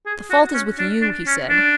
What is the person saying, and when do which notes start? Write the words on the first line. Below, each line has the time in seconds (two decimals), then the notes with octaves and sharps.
"The fault is with you," he said.
0.06 G#4
0.31 F#4
0.54 C#4
0.79 D4
1.02 D4
1.27 C#4
1.50 D4